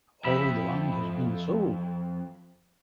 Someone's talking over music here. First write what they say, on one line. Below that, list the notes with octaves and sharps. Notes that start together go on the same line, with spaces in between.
All the land has been sold.
F2 E5 B5